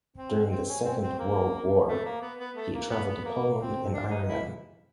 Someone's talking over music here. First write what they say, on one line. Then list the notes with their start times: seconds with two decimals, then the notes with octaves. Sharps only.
During the Second World War he travelled to Poland and Iran.
0.16 C4
0.50 C4
0.67 C#4
0.84 C4
1.02 C4
1.19 A#3
1.88 A3
2.05 A#3
2.21 B3
2.39 B3
2.56 A3
2.73 A#3
2.90 B3
3.08 B3
3.24 A#3
3.59 C4
3.93 D4
4.10 D#4
4.27 E4